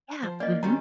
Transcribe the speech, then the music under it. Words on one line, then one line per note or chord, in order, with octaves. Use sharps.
Yeah. Mhm.
F3 C5
A#3 D5 D#5
D#3 G3 C#4 F#4 A#5